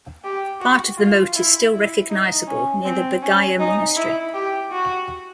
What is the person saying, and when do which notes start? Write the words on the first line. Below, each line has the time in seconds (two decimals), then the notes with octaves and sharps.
Part of the moat is still recognizable near the Bagaya Monastery.
0.24 G4
0.61 F#4
0.98 F4
1.35 E4
1.73 E4
2.10 D#4
2.47 C#4
2.85 C4
3.22 C#4
3.59 D#4
3.97 E4
4.34 G4
4.71 F#4